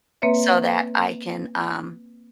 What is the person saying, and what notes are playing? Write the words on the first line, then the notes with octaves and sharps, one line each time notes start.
so that I can, um
A#3 C4 B4 C#5 E5